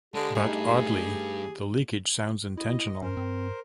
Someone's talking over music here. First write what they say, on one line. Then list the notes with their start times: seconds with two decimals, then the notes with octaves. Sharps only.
But oddly, the leakage sounds intentional.
0.14 D3 G#3 G4
0.35 G2 A3 D#4 G#4
2.57 E4 D#5
3.02 G2 C#4 A#4 C5
3.17 G2 C4